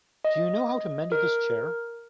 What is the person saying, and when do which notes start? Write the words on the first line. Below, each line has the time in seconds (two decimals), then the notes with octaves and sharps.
Do you know how to mend this chair?
0.25 D#5
1.12 A#4